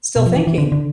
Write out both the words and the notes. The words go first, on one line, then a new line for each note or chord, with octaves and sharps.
still thinking.
B2
F3
E3
E3
D3
D3